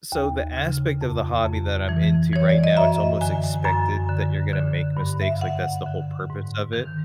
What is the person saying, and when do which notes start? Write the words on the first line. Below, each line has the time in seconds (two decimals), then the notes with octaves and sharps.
so the aspect of the hobby that I'm into right now, it's almost expected that you're gonna make mistakes, like, that's the whole purpose of it,
0.12 D#2
0.57 C#3
1.01 F2
1.45 F2
1.89 E3
2.33 E3 C#5
2.49 D5
2.64 D#5
2.77 F#2 E5
3.21 D3 G#5
3.44 G#5
3.64 F#2 G#5
4.08 D3
4.53 D3
4.97 G2
5.21 E5
5.32 F5
5.41 D3 F#5
5.86 D3
6.30 G#2
6.73 D#3